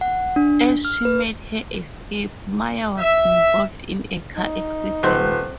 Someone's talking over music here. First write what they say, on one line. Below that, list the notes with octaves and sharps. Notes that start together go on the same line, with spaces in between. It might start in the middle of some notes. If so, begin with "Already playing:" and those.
As she made her escape, Maya was involved in a car accident.
F#5
D4
F6
B4
E5
D#4
D#1 C3 C4 B4